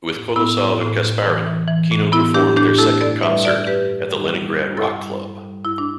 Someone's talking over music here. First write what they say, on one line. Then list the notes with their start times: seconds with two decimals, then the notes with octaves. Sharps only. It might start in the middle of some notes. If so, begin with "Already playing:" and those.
With Kolosov and Kasparyan, Kino performed their second concert at the Leningrad Rock Club.
0.14 A2
0.36 A2 B3 E4
0.58 A2
0.81 A2
1.03 A2
1.25 E3
1.46 E3
1.68 E3
1.91 A2
2.12 E3 B3 E4
2.34 A2 D4 G4
2.57 A2 D4 G4
2.78 A3 E4 A4
3.01 G2 A4 D5
3.23 G3 B4 E5
3.44 G3 A4 D5
3.67 G2 G4 B4
3.88 G2
4.10 G3
4.32 G3
4.55 G3
4.77 G2 E4 A4
4.99 G3
5.21 G2
5.43 G3
5.65 G2 E4
5.78 D4